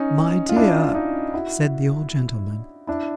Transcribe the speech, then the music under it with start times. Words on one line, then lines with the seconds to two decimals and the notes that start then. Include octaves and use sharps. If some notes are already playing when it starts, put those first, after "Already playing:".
'My dear,' said the old gentleman.
Already playing: C#4 D#4
0.49 F4
0.56 D4 E4
0.94 D#4 F4
1.34 E4 F#4
2.87 D4 E4